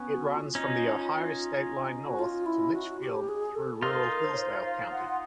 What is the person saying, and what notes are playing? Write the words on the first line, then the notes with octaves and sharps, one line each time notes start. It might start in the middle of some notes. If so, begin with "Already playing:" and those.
It runs from the Ohio state line north to Litchfield through rural Hillsdale County.
Already playing: B3 C#4
F#4
F4
C#4 D#4
F#4
F4
E4
F#4
G4
G#4
A4
D#4 F4 A#4
A4
A#4
C5
C#5
C5
F5
F#5